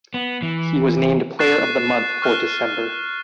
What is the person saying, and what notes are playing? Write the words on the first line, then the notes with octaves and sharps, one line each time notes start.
He was named Player of the Month for December.
B3
E3
C#6 F#6 A6 C7 E7
C#6 F6 F#6